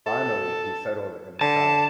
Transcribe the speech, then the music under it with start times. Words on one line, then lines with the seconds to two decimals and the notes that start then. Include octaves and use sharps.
Finally he settled in Marseilles.
0.07 A4
1.41 D3 A5